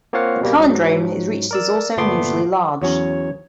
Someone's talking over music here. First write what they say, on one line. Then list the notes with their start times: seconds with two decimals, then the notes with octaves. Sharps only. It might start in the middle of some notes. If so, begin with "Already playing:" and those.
The palindrome reached is also unusually large.
0.13 A#3 C4 F4 C#5 F5 F#5
0.41 B2 G3 A#3
0.60 G#2 F#3
1.51 A#4 D5 E6
1.97 G1 A#2 A3 B3 C6 D6
2.82 E2 F#3 C#4 C#5